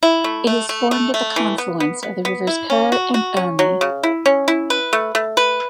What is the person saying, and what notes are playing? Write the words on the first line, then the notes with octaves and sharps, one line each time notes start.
It is formed at the confluence of the rivers Kur and Urmi.
E4
A3
A3
A3
A3
A3
E3
B3
B3
B3
B3
E4
C#4
F#4
F#4
C#4
F#3
C#3
E4
C#4
E4
B4
A3
A3
B4